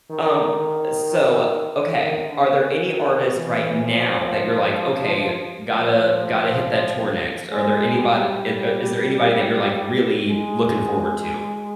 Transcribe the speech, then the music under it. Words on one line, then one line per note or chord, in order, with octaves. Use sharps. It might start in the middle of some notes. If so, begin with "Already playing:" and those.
Um, uh, so, okay. Are there any artists right now that you're like, "Okay, gotta gotta hit that tour next." Are there anybod eh uh, is there anybody that you're, like, really looking forward to?
D#3
D#3
D3
C#3
D#3
E3
F3
F3
G#3
G3
G#3